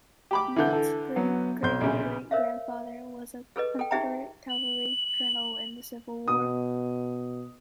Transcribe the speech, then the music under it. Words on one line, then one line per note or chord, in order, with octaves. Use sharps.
Mount's great-great-great grandfather was a Confederate cavalry colonel in the Civil War.
G4 B5 D6
D3 E3 E4 G6
A4
F#3 B3
B1 C6 G6
A#1 C#3
A#4 C5 C#5 E5 F5
G#4 A4 B4 D#5
A4 G5
D#4 G4 G#4 E5 G5 A#5
F#7
B2 D#6